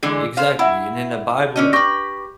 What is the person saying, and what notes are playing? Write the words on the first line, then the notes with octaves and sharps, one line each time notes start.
Exactly, and in the bible
D3 E3 G#3
C5 F5
E4 E5 F#5 B5
D3 C#4 D#5
G4 B4 C#6 A#6